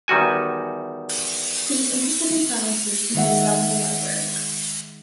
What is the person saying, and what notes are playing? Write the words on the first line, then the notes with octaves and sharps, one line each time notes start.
He was interested in sciences, and had a sizable library.
E2 D#3 G3 F#4 G#5
D#3 G#3 E5 F#5